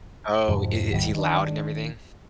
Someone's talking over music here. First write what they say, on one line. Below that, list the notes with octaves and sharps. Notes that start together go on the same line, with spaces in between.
Oh, i is he loud and everything?
F2 G#2 C3 F3
D1 G#2 D#3 G3
D#3 D4